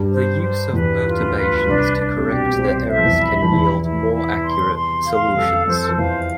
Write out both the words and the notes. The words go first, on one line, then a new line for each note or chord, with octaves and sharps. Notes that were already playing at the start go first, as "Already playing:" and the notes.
The use of perturbations to correct for the errors can yield more accurate solutions.
Already playing: G2 G3
C5
C5
E2 E3 B4
F4
D2 D3
B4
C2 C3 D4
D4
C3
B2 G4
B2
C2 C3 C5
E5
F3
E2 E3
B5
F3
E2 E3 E4
E4
E4
C6
C6
F5
G3
F2 F3 A4
F2 F3 C5
F3
E2 E3 F5